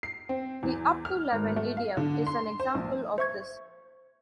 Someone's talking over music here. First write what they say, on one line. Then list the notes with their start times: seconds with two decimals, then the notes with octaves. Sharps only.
The "up to eleven" idiom is an example of this.
0.03 C7
0.29 C4
0.63 E2
1.05 F6
1.32 G#1
1.56 A3
1.77 F5
1.97 D3
2.27 C6
2.60 C5
2.75 A#1
3.18 C5 E5 C#6 G#6